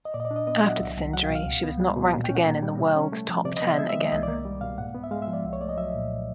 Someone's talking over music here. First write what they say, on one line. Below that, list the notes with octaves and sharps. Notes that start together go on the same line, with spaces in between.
After this injury, she was not ranked again in the world's top ten again.
D#5
A#2 D5
D#5
D5
D4
D#5
B3 D#5
E5
F#3
F#5
C2
C2
F#3 F#5
F5
B2
F5
C#2
B3
G3
B2
A#2
G5
C#4
F#5
A#3
G3
C3
C#4
A3
F3
C3 D5
D#5
B3
E5
G#3 E5
E5
D#3
D#5
C2 D#5
D5
A#3
G3
B2 F5
G#2 F#5
B3
E5
G#3 F5
E5
F3
D5
C2
C#5
A3 D5
D#5
F#3 E5
A#2